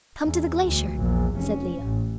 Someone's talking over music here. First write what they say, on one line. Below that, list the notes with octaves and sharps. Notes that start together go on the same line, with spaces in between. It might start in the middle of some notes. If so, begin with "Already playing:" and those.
"Come to the glacier," said Leo.
E2
D2
A#1 E2
F1 C#4
A1